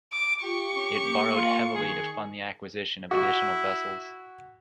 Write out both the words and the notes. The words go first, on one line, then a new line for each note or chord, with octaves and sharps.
It borrowed heavily to fund the acquisition of additional vessels.
D6
F4 G4 C#6
C#4
A#3
F4
D#3 G#4
E4 F#4